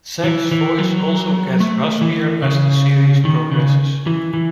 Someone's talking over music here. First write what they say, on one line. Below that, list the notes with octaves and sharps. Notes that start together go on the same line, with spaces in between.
Zack's voice also gets raspier as the series progresses.
E3
E3
F#3
A3
E3
C#3
D#3
C#3
E3
E3